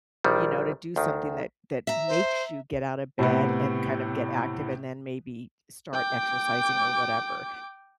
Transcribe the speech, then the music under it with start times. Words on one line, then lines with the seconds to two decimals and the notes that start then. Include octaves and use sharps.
you know, to do something that that makes you get out of bed and kind of get active, and then maybe start exercising or whatever.
0.24 A#1 D#3 G3
0.96 D2 D#3
1.87 E5 A#5
2.07 C5
3.19 A2 C3 B3
5.93 G5 D6